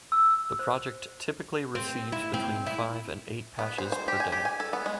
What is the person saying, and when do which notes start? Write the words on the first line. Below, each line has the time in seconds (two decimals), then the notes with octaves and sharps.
The project typically receives between five and eight patches per day.
0.12 E6
0.59 C5
1.75 C4
2.12 E4
2.34 C4
2.66 E4
3.59 B3
3.78 C5
3.92 C5
4.08 G4
4.20 G#5
4.32 G4
4.45 G#5
4.60 A4
4.73 B3
4.86 G#3